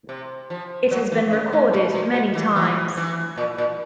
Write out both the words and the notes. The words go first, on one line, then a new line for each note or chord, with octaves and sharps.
It has been recorded many times.
C3
F3
F#3
E3
C#3
A2
A#2
B2
B2
E3
E3
E3
A#2
A#2